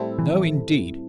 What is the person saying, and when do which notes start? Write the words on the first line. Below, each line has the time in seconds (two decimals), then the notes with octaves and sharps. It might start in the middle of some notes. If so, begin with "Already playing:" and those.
No, indeed.
Already playing: A2 G3 C4 E4 A4
0.19 E3